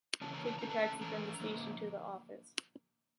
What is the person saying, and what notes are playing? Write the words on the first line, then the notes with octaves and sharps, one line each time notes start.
Take a taxi from the station to the office.
C#3 E3 A#3 C#4 A5
A#5
A5
D3 A3 C#4 A#5
A5
E3 A3 C#4 A#5
D3 F3 A#3